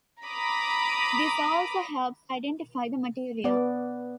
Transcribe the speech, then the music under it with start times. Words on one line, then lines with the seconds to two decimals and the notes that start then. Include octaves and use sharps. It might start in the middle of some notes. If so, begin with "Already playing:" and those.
This also helps identify the material.
0.25 A#5 B5 D6 D#6
3.44 B3 D5